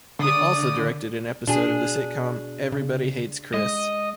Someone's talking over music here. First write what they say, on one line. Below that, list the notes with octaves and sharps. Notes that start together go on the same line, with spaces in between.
He also directed an episode of the sitcom "Everybody Hates Chris".
D3 D5 D#6
B2 D4 G#4
C#3
G#3 D#5